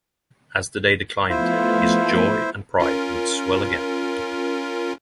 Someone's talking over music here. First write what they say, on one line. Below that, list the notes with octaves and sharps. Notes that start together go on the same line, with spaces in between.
As the day declined his joy and pride would swell again.
F3 A3 B3 E4 F4 C5
C#4 F4 A#4